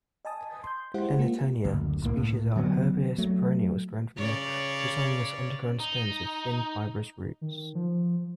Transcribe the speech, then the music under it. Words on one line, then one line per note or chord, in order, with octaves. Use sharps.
"Clintonia" species are herbaceous perennials growing from rhizomatous underground stems with thin, fibrous roots.
D#5 G#5 A5 D#6
C6 G6
G#3 E4 G4 C5 F#5
A#3 F4
F#1 D2
C2 A2 A#3
A2
D3 F#3 G#3 B3
F#3 A3
C#3 C#5 D5
D#4
D#3
F3